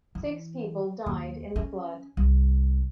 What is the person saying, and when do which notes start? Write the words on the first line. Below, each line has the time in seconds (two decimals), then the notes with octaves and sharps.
Six people died in the flood.
0.15 E3
1.06 D#2
1.56 C#4
2.17 C2